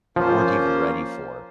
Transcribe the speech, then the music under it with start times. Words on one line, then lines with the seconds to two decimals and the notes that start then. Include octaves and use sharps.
weren't even ready for
0.16 F3 A#3 C#4 F4 C5